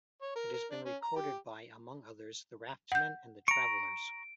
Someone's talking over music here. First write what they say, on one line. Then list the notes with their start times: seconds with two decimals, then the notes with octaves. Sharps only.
It has been recorded by, among others, The Raftsmen and The Travellers.
0.22 C#5
0.36 A#4
0.53 A#4
0.71 D4
0.85 C#4
1.03 A#5
1.16 G4
2.92 F#5 G6
3.48 A#5 C#6 D7